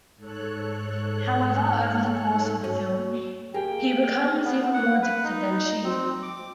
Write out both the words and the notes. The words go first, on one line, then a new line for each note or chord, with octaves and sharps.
However, over the course of the film he becomes even more addicted than she.
G#2 A4 C#5 F#6
C#4 F#4
A#3 G4 G#4 G5
B3
F#5
B4
D#4
C4
D6